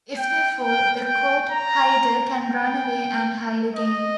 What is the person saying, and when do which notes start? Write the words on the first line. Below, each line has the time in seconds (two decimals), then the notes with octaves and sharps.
If they fall, the "caught" hider can run away and hide again.
0.18 G5
0.62 G5
1.07 G5
1.52 A#5
2.42 G5
3.75 D#5